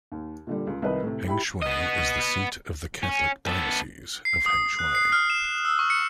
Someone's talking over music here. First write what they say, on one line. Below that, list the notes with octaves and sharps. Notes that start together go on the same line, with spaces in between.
Hengshui is the seat of the Catholic Diocese of Hengshui.
D#2
A#2 D3 G3
C#2 G#3
C2 D#3 B4 D#5
A2 C3
E4 G4 B5
B3 D#5
C#4
B3 A4
C7
D#6
F#6
C7
F6
E7
E7
E6
C#6
C#7